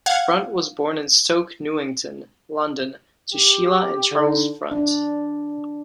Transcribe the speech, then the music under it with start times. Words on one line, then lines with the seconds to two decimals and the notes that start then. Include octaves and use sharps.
Front was born in Stoke Newington, London, to Sheila and Charles Front.
0.06 F5 F#5 G#6
3.33 G4
4.12 D3 D#4
4.71 D4